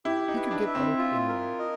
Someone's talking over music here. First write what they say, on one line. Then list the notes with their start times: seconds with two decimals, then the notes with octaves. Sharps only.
He could get on with anyone.
0.05 E4 G4
0.28 D#4
0.36 B4
0.51 D4
0.67 E5
0.75 C4
0.98 F4
1.29 A#4
1.59 D#5